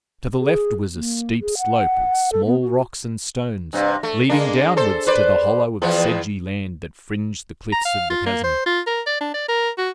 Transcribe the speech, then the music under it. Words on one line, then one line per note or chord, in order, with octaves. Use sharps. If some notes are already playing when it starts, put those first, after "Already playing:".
To the left was a steep slope of small rocks and stones, leading downwards to the hollow of sedgy land that fringed the cliffs of the chasm.
G#4
A#3
G#4
F#5
A4
B3
F#4
G2 C3
A3
G#3 A#3 D4
A4 C5
B4 C5 D5
E2 F3 B3
A#5
F5
F4
A#3
C5
F4
A#4
D5
D4
D5
A#4
F#4